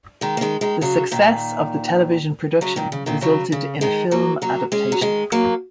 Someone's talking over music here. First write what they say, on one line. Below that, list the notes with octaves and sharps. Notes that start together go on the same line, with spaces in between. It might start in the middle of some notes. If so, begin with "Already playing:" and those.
The success of the television production resulted in a film adaptation.
D#3 G#3
A#3
D#3 G#3
D#3 G#3
C#3 F#3
A#2 D#3
C#3 F#3
A#2 D#3
C#3
A#2 D#3
C#3 F#3
C#3
D#3 G#3
F#3 A#3
F#3 A#3
G#3 C#4
F#3
D#3 G#3
F#3 A#3